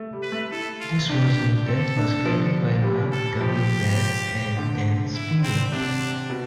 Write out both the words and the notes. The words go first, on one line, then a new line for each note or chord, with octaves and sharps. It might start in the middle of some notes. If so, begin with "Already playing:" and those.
This version of Death was created by Mike W. Barr and Dan Spiegle.
Already playing: A3
G3
B4
A3
E4 A4
F4
D4 G4
C4 A4
D4
F3
G3
A4
F3 G4
D3
E4
C4
C3 D4
B2